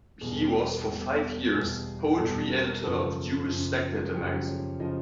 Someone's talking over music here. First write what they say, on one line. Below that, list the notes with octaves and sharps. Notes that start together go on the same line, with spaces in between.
He was, for five years, poetry editor of Jewish Spectator magazine.
E2 B2 G3 G#4
E2 B2 G3
E2 B2 G3 G#4
E2 B2 G3 A4
A#4
F#2 C#3 F3 A4
F#2 C#3 F3
G#4
F#2 C#3 F3 G4
C#5
C#3 F3 D#5